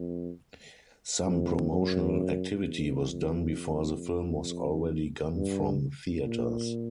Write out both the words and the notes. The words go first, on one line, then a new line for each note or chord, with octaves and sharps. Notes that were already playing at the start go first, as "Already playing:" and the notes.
Some promotional activity was done before the film was already gone from theaters.
Already playing: F2
F2
F#2
E2
F2
G2
A#2